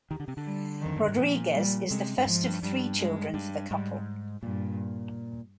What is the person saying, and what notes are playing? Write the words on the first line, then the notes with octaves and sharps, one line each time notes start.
Rodriguez is the first of three children for the couple.
D#3
D3
C3
D3
G3
F2 D#3
G2
G#2
A#2 F3
G3
C3 G#3
G2
G#2 F3
G2
G2 G3
G#3
G2
G#2 G3
G2 A#2